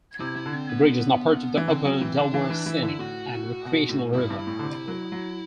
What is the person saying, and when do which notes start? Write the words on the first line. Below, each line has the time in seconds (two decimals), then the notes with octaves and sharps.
The bridge is now part of the Upper Delaware Scenic and Recreational River.
0.20 C3 E4
0.36 E4
0.46 D3
0.53 C4
0.69 B3
1.57 E3
1.68 D3 C4
1.85 F#3
1.93 C4
2.01 E3
2.17 D3 D4
2.34 E3
2.50 E3
2.66 E3 E4
2.82 D3 E4
2.99 A2 F#4
3.65 B2
3.89 A2
4.14 G2 E4
4.30 G2
4.39 E4
4.47 A2
4.59 D3
4.63 C3
4.88 F#3
5.12 F#3